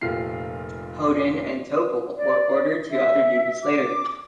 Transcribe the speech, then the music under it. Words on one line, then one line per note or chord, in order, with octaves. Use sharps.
Hoden and Toeppel were ordered to other duties later.
F1 A#2 F3 F4 G4 C7
D5
E5
D6